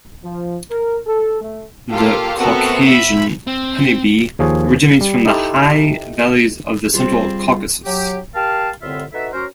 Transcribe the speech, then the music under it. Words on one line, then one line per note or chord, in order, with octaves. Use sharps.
The Caucasian honey bee originates from the high valleys of the Central Caucasus.
F3
A#4
A4
A3
A#3 F4 G4 A4 F5
A3 B3 C4 F#4 A4 A#4
E5 B5
C4
D#2 F3 G#4 C#5
G3
D#4 E4 G4 A4
G3 C4 F4 G#4 C5
F#3 G4
G4 A#4 F5 A5
C2 A2 D3 C4 F4 E5
D#4 F#4 A4 B4 E5
C#4 F#4 A#4 C5